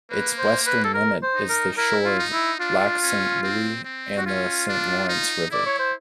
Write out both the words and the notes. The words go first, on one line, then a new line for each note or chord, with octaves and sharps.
Its western limit is the shore of Lac Saint-Louis and the Saint Lawrence River.
A#3 B4
C5
B4
A4
A#4
C5
D#4
A#4
E4 A#4
F4
D#4
E4
D4 F4
C#4
C4
C4
F#4
C#4 F4
D4
D#4
E4 D5
C#5
C5